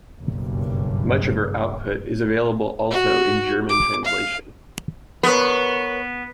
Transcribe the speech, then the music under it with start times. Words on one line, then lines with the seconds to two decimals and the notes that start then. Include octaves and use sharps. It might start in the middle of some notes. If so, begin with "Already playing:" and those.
Much of her output is available also in German translation.
0.20 F#1 B1 G2
2.91 F#4
3.69 D6
4.05 F5
5.23 B3 A#4 B4 C#5